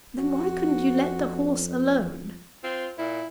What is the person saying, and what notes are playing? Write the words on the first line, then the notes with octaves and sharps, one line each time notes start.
"Then why couldn't you let the horse alone?"
F2 F#4
C4 F4
A#2 E4